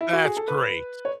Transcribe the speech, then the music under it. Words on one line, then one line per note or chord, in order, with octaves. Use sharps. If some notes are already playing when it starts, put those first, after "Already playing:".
That's great.
E4
F#4
G#4
A4
B4
C#5